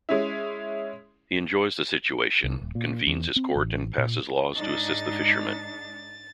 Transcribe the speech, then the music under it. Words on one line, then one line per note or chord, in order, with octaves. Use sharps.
He enjoys the situation, convenes his court and passes laws to assist the fishermen.
G#3 C#4 E4
C2
D#1
A#2
E2
C4
A1
A#2
G#2 D4 D#4 A6